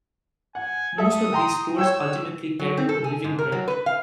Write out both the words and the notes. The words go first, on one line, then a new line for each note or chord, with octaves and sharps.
Most of these stores ultimately carried the 'Living' brand.
F#5 G#5
A4 E5 D#6
G5 A#5 C6
C#5 G5 E6
F#3
C4
A4
G#4
G#2
A#4
F#3
B4
F5